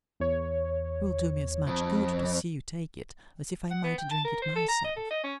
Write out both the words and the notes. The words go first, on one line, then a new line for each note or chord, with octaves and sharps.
It will do me as much good to see you take it as if I might drink it myself.'
E2 C#5
F2
F#5
B3
G5
A5
A#4
C5
A4
A#5
D#5
A4
D#5
C#4